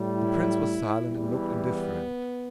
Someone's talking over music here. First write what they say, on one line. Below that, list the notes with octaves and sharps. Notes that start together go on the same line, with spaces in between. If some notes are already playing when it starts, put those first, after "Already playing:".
The prince was silent and looked indifferent.
Already playing: A2 G3
E4
E2 E3 G3
B3